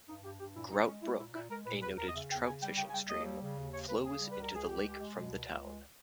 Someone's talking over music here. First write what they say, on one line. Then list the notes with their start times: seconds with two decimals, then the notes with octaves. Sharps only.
Grout Brook, a noted trout-fishing stream, flows into the lake from the town.
0.08 G2 D#4
0.24 G2 G4
0.40 G2 G4
0.55 A#2 E4
0.71 A#2 D#4
0.87 G#3 C#4
1.03 G#3 E4
1.19 A#2 E4
1.34 A#2 E4
1.50 G#3 A#4
1.66 A#2 B4
1.82 E2 B4
1.98 E2 A#4
2.09 D#5
2.14 C#3 E5
2.30 E2 G5
2.46 C#3 G#5
2.61 G3 G5
2.77 C#3 G5
2.90 G#5
2.93 G3 G5
3.09 D#2 D#5
3.24 G3
3.41 C#3
3.57 D#2
3.72 C#3 C#5
3.88 D#2 B4
4.04 C#3 G#4
4.20 G3
4.31 B4
4.37 C#2
4.42 A#4
4.52 C#2 G#4
4.67 C#2 G4
4.83 G#3
4.99 G#3
5.15 B2
5.31 C#2
5.46 C#2
5.63 G#3